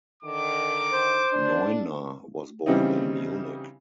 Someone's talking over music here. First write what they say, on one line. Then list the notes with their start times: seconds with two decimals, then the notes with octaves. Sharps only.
Neuner was born in Munich.
0.23 D3 D#3 D6
0.93 C5
1.32 D4
2.66 C#3 E3 G3 C4 C#4 D#4